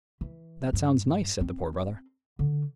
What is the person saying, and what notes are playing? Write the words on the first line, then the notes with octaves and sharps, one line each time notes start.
"That sounds nice," said the Poor Brother.
E3
G2
C4
D3